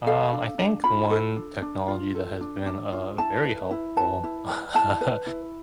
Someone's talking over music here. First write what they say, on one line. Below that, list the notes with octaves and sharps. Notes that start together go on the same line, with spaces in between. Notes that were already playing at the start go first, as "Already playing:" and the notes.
Um, I think one technology that has been, uh, very helpful, uh,
A4 F5
D4
D4
F4 B5
A4
D4
D4
F4
A4
D4
D4
F4
E4 A5
B4
E4
B4 A5
E4
B4
E4 A5
B4
E4